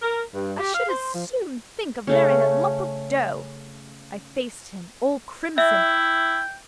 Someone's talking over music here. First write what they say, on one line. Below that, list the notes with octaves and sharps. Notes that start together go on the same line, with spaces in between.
I should as soon think of marrying a lump of dough.' I faced him all crimson.
A#4
G2
G4
F5
C5
F3
C#3 A3 C#4
E4 E5 G5